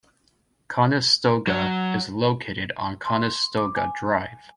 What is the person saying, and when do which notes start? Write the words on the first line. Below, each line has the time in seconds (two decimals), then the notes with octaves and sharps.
Conestoga is located on Conestoga Drive.
1.47 F#3
3.05 C6
3.57 D6
3.76 G#5